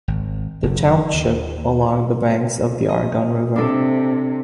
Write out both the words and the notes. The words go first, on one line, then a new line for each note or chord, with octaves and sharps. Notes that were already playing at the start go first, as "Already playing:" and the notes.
The township along the banks of the Argun River.
G#1
F#1
D#2
D#5
C3 D4 A4